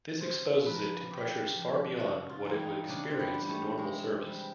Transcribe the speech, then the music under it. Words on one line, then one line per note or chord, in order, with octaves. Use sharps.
This exposes it to pressures far beyond what it would experience in normal service.
C#3 C5
F3 B4
A#4
B4
C#3 G4
F3
C#3 F#4
F4
E3 G3
D#4
C#3 D4
C4
B3
E3 G3
A3
C3 G#3
E3 G3